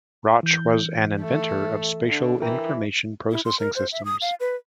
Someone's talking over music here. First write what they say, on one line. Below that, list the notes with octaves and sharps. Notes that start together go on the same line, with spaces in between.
Rauch was an inventor of spatial information processing systems.
E3 G6
A3
D3
E3 A#4 G5
E4
C6
A#4
C5
E5
D#6
F5
B4